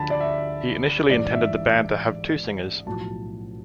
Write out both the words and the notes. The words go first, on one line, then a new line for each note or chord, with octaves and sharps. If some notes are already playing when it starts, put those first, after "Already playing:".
He initially intended the band to have two singers.
Already playing: D2 D3 F3 A5 B5
D5
E5
A1 G#2 E3 D5
E5
E5
B1 A2 F3 A5